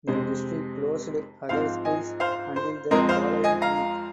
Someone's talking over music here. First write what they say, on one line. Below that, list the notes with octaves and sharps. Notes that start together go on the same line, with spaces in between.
The district closed other schools until the following week.
F2 C3 G#3 C4 C5
G#2 F3 C4 C5 F5
D#5 G#5
C5 F5
C5
F2 F3 G#3 C4 A#4 D#5
C5 F5
D#5 G#5
F5 A#5